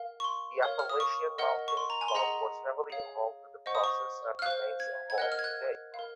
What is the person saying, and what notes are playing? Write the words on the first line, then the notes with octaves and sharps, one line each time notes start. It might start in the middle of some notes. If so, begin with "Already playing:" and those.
The Appalachian Mountain Club was heavily involved in the process and remains involved today.
Already playing: A#4 F5
C#6
C6
A#4 C#5 F5
F6
D#6
C#6
A#4 D#5 F#5
C#6
C6
A#5
G#5
C6
G#4 D#5 F#5 A#5
G#4 C#5 F5
C5 D#5 F#5 C#6
D#6
C#6
F6
C5 F5 F#6
G#6
G#6
A#4 D#5 F#5 F#6
F6
G#6
F#6
A#4 F5